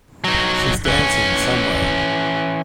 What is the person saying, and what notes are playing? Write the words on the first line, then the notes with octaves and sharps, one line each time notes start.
She's dancing somewhere.
F#3 D#4
E3 C#4